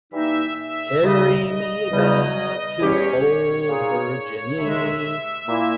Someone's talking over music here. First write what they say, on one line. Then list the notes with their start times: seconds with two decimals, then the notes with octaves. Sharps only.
Carry me back to old Virginny.
0.12 E3 G3 A#3 D#4 E5
0.57 E5
1.01 D#2 C#3 G3 D#5
1.46 D#5
1.91 E2 C#3 G3
2.80 E2 C#3 G3 C#4 G4 C#5
3.68 A#2 A#3 D#4 G#4
4.58 D#2 C#3 G#3 E5
5.47 A#2 A#3 E4